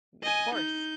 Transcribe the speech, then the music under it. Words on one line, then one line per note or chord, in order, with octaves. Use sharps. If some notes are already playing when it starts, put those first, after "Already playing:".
Of course.
D#5 G#5
D#4 G6